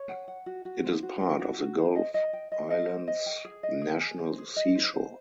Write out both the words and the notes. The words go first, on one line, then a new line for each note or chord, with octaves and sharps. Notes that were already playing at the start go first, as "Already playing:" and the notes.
It is part of the Gulf Islands National Seashore.
Already playing: C#5
F#5
F#5
F#4
F#4
C5
F#4
F#4
F#4
F#4
C5
D#5
D#5
G5
D#5
D#5
C5
D#5
G5
G#4
D#5
G#4
G#5
C5
G#4
D#5
C5
C5